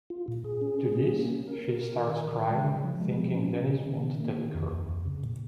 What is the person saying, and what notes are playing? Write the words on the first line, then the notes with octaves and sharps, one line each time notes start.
To this, she starts crying, thinking Dennis won't take her.
F4
A#2
G#4
C#4
G#4
C#4
A#3
C#4
A#4
A#4
A#4
D#3
A#4
D#3
G#3
C#3
F3
G#3
F3
C#4
C#4
C#3
D#3
D#3
A#3
D#3
F2
F2
F2
C#3
A#2